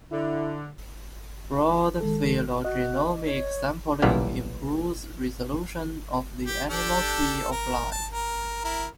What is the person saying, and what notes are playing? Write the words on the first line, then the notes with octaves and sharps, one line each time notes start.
"Broad phylogenomic sampling improves resolution of the animal tree of life".
D3 E4
D#3 G#3 A4
F#4 D#5
C#5
B1 A#2 E3 G3 B3 F5
G4
D4 G4 A4
A#4
A5
A#4
E4 A#4